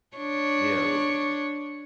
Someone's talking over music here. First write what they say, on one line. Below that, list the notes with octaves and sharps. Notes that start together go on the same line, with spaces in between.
you know,
D4 C#5